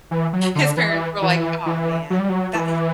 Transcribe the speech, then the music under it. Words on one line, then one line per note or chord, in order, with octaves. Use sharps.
His parents were like, "Aw, man, that he
E3
F#3
D3
E3
E3
E3
F#3
G3
F#3
E3